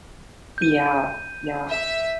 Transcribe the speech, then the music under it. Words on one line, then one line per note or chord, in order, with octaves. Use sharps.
Yeah, yeah.
G6 D#7
E5